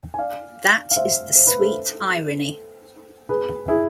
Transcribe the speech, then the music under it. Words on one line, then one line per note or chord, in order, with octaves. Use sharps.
That is the sweet irony.
G#5
D5 F5
F5
C5 E5
C5
B4
A4 C5
G#4 B4
E4 G#4